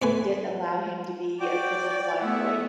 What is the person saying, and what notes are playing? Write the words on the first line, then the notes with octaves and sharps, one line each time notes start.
didn't allow him to be a crippled blind boy.
G#2 A3 B3 B4 G#5 B5
F#4 D5 G5 D6
A3 B3 E4 E5 F#5